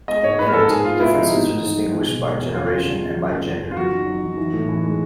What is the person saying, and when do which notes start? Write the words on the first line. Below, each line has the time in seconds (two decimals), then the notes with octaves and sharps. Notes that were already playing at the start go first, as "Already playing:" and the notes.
In it, differences are distinguished by generation and by gender.
0.08 G#3 D#5
0.23 G#2 C#5
0.39 G#2 B4
0.48 A#4
0.53 G#2 A4
0.69 G#2 G#4
0.85 G#2 F4
1.00 G#3 E4
1.15 F3 D#4
1.31 G#2
1.46 G#2
1.61 D#3
1.76 F#3
1.92 G#3
2.08 B2
2.23 G#3
2.39 E2
2.53 C#3 F4
2.69 C#3
2.84 C#3
2.99 C#3
3.14 F#3
3.30 F#2
3.46 F#2
3.61 F#2
3.71 F4
3.76 F#3 F#4
3.91 D#3
4.07 F#3
4.23 D#3
4.38 E3
4.53 A2
4.68 E3
4.84 G#3